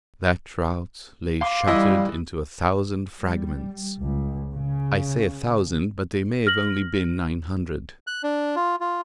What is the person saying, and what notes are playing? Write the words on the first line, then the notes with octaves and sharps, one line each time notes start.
That trout lay shattered into a thousand fragments--I say a thousand, but they may have only been nine hundred.
F5 C6 D6
E3 G3 E4 D#5
G3
C#2
C#3
F6 A#6 F#7
F#6
D4
F4
F4